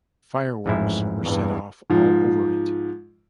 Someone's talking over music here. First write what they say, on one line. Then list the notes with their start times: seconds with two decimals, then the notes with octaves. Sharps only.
Fireworks were set off all over it.
0.66 A1 F2 G#2 E4
1.23 E2 G2
1.90 G#2 F3